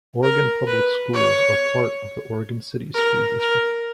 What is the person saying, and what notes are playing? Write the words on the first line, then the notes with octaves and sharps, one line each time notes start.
Oregon Public Schools are part of the Oregon City School District.
A#4
B4
C#5
A#4
A#4